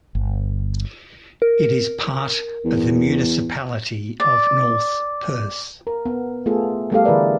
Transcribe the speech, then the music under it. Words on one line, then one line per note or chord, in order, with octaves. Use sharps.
It is part of the Municipality of North Perth.
G1
A#4
E2
D5
A#4
B3
A3 B3 F4 G#4 A4
G3 A3 B3 G4 A4 F5
D3 E3 G#4 A#4 B4 D5